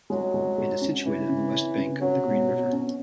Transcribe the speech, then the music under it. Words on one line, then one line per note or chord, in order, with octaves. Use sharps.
It is situated on the west bank of the Green River.
F#3 G#3
G#3
G#3
C#4
C#3 E3
C#3
C#4
C#3
F#3 C#4
B2
B2
C#4